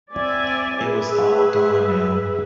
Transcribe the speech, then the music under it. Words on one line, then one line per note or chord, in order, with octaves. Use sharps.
It was all gone now.
C4 D5 E5 G#5
G#4 B4 E5